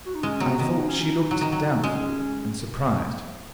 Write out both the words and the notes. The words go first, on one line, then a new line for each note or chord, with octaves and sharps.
I thought she looked doubtful and surprised.
F#4
D#4
G#3 C#4
F#3 B3
D#3 B3
D#4
C#4
D#4
F#3
D#3
F#3
G#3 C#4